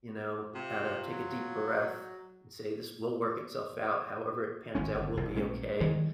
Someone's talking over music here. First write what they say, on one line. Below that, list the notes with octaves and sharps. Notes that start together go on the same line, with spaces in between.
you know, at a take a deep breath and say, "This will work itself out. However it pans out will be okay,"
C3 F4
F#3
G#1 G#3 C#4
G1 G#2
F1 C2 C3
A#1 G#3 A#3 C#4
D#3 G3 G#3